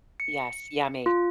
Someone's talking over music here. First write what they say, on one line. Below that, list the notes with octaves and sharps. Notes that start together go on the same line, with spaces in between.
Yes, yummy.
C#7
F4